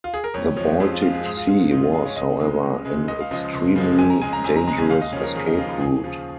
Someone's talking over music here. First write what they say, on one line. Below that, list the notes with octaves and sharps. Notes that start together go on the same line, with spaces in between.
The Baltic Sea was, however, an extremely dangerous escape route.
F4
G#4
A#4
F2 C#5
F3 G#3 C#5
F2 G#4
F4
F3 G#3 F4
G#4
G#2 G#4
F4
G#3 F4
F4
G#2 D#4
F4
G#3 G#4
C#5
C#2 D#5
C#3 G#3
C#2
C#3 G#3
C#2 D#5
F5
C#3 F3 G#3 D#5
C#2
C#3 F3 G#3
F2 G#5
A#5
C#3 G#3 G#5
A#5
F2 G#5
A#5
C#3 G#3 A#5
G#5
D#2 F5
D#5
C#3 F3 C#5
A#4
D#2 G#4
D#4
C#3 F3 F4
F4
D#2 G#4
C#3 F3 F4